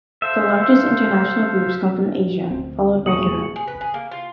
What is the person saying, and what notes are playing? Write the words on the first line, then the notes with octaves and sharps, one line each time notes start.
The largest international groups come from Asia, followed by Europe.
A4 C5 E5 F5
D2 C4
E1 G#3 A#3 C#6 D#6 C#7 F#7
G#4
B4
G#4
A#3
F4